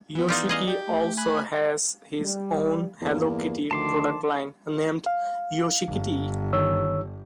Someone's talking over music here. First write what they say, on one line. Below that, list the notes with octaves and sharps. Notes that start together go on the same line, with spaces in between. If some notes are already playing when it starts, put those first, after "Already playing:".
Yoshiki also has his own Hello Kitty product line, named "Yoshikitty".
E3 B3
D#4 F4 G4 D5
G#4 D#5 F5
G4 G6
A3
G#5 B5 F#6
G3
E2 G2 A#3
D2 D3 D#3 F3 A5 C6 D6
F5
G1
D#3 C#5 E6